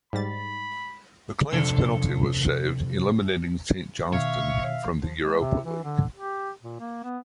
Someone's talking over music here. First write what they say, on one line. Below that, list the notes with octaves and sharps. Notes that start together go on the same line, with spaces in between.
MacLean's penalty was saved, eliminating Saint Johnstone from the Europa League.
G#2 G3 B5 A6
F2 C3 D4 A4
B2 D#3 C#5 E5 F5
F3
G#3
C3
E3
D3
G4
A#2
A#3
B3